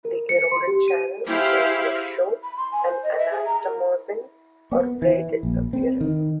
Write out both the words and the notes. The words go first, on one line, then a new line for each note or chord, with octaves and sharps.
The eroded channels also show an anastomosing, or braided, appearance.
A#4
C#7
C6
G4
D#7
E4 G4 G#4 C5 F5
B5
C6
G#5
C5
D#5
E5
G#4
A#5
A#4
B3
E3
A#1
C4
D#3